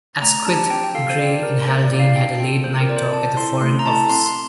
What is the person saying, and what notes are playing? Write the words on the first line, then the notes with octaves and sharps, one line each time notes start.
Asquith, Grey and Haldane had a late night talk at the Foreign Office.
A3 A#5
D4 G4 A5
C4 G5
G5
F4 A4 F5
C5
D4 D5
G4 A#4
A#3 C5
D5
E4 G4
F5
D4 G5
F4 A4 G5
A#3 C5
A#4
F4 A4 D5
C5
C4 A5
E4 A4 C6
A3 C6
A#5
E4 A4 A5
C4 C6
C6